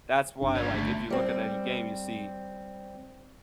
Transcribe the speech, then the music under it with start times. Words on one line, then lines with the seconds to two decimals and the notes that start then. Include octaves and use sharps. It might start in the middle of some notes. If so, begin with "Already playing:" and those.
That's why, like, if you look at any game, you see
0.41 G1 C#3 D4
0.56 G3 C#5
0.73 D3 A3
1.10 G3 C4